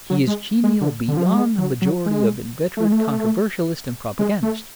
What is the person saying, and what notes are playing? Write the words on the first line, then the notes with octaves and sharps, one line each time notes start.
He is genial beyond the majority of inveterate controversialists and propagandists.
F#3
G#3
G#3
D3
D3
F3
F#3
G#3
F#3
F#3
G#3
A3
G#3
A3
G#3
A3